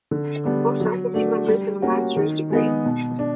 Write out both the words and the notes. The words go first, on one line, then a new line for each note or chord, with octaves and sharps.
Most faculty members have a master's degree.
D3
G3 B3 D4
F#3
A3 D4 F#4
G3
A#3 C#4 F#4
D#3
G#3 B3 D#4
B2
D4